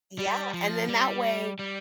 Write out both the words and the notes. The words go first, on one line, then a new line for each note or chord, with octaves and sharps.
Yeah, and then that way
G3
F3
G3
G3